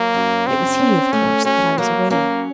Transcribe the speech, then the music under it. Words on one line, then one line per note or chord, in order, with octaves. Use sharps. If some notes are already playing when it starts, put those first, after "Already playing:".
It was he, of course, that I was awaiting.
Already playing: F#3 A#3
F#2
C#3 C4
C#4
A3 C#4
F#2 C#4
F#3 A#3
A#3 C#4